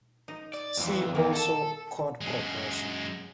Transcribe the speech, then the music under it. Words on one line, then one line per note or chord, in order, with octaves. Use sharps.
See also Chord progression.
D#4
D5
F2 E3
E2 D#3 A#3
A4 A5
F#2 G#3